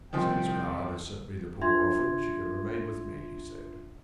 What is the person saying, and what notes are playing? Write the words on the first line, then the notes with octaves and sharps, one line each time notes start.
"Since God has sent me the poor orphan, she can remain with me," he said.
C2 D#3 F3 C4 G5
D4 F4 E5 C6 G#6